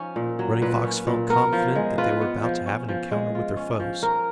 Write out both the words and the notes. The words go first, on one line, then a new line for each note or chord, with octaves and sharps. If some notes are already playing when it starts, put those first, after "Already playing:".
Running Fox felt confident that they were about to have an encounter with their foes.
Already playing: F3 C#4 D#4
A#2
F#3
A#2 B4
C#4
A#2
B3 A#4
F3
G#3
F4 B4
B3
F3
C#4
F3
G#3
F4
C#4
F3
C#4 A#4